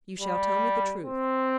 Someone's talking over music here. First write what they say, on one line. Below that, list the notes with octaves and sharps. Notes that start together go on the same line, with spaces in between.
"You shall tell me the truth."
G3
C4